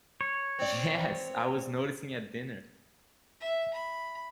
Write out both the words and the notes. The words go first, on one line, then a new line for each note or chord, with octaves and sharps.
Yes, I was noticing at dinner.
C#5
C4 D5
E5
B5